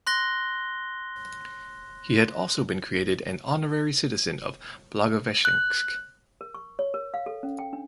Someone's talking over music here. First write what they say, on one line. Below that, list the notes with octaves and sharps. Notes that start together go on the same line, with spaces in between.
He had also been created an honorary citizen of Blagoveshchensk.
C6 F#6 A#6 G7
F#6
A#4
C#6
C#5
A#4
F5
A4
C#4
G5
D4